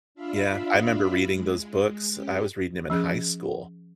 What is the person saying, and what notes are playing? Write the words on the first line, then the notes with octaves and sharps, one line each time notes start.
Yeah, I remember reading those books; I was reading 'em in high school,
D4 F4 E5 F5 B5
G#3
C#4 G4
F3 C#4 G#4